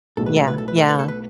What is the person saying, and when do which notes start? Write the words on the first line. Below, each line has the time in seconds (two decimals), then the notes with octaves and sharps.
Yeah. Yeah.
0.17 B1 A2 G#3 A4
0.26 B4
0.37 A4
0.48 B4
0.58 A4
0.68 B4
0.78 A4
0.89 B4
0.99 A4
1.08 B4